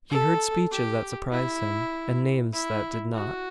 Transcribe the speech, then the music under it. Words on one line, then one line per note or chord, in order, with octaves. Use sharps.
He heard speeches that surprised him, and names that did not.
A4
G4
E4
E4
F#4